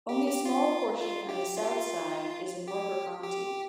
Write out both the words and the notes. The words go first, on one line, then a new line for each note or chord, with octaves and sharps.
Only a small portion on the south side is in Mercer County.
G4
G4
F4
F4
G4
F4
G4
F4
G4
G4